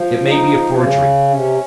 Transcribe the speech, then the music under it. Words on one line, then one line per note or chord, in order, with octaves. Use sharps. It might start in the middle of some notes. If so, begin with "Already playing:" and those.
It may be a forgery.
Already playing: F3
D#4
C#3 C#4
C3